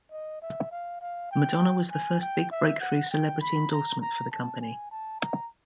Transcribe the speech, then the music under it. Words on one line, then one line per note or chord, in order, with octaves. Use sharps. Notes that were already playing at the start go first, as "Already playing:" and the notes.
Madonna was the first big break through celebrity endorsement for the company.
D#5
E5
F5
F5
G5
G#5
G5
E5
F#5
G5
B5
A#5
A#5
A5
G#5
A5
A#5